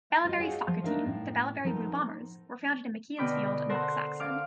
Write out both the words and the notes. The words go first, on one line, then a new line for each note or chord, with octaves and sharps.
Bellavary's soccer team, the Bellavary Blue Bombers, were founded in McKeown's Field Knocksaxon.
F4 F#4 C5 D#5
G#4 A4 C#5 F5 F#5 G#5
F3
A3 D4 D#4 A#4 E5 F5
A2
F3 B3 D#4 A4 A#4
B2 D3 G5 B5 D6 F6
A4 A#4 C5 F#5
F5 D6 F6